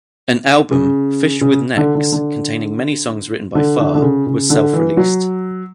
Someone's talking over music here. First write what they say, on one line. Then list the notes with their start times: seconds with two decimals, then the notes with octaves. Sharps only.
An album, "Fish With Necks", containing mainly songs written by Farr, was self-released.
0.71 C#3
1.41 C#3
1.77 D3
1.95 D3
2.12 D3
3.55 D3
3.79 D3
3.95 D3
4.02 C#3
4.27 C#3
4.50 D3
4.73 E3
4.97 F#3